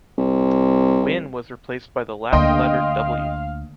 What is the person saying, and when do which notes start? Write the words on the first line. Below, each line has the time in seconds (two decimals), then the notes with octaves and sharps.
Wynn was replaced by the Latin letter .
0.18 C2
2.33 D2 D3 A#3 D4 D#5 F5 G5 C6